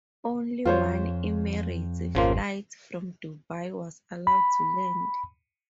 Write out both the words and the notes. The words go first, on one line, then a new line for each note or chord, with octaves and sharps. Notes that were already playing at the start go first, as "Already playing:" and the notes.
Only one Emirates flight from Dubai was allowed to land.
F2 F4 C5 C#5
G#1 C#3 F3 A#3 C6
B5